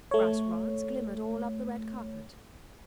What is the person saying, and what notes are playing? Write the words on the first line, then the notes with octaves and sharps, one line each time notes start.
Brass rods glimmered all up the red carpet.
A3 C#5